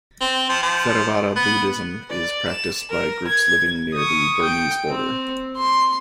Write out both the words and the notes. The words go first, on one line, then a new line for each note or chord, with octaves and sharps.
Theravada Buddhism is practiced by groups living near the Burmese border.
C4
F3
F3
B3
D5
E7
A#4
G#6
C#6 D#6
G5
C4
C6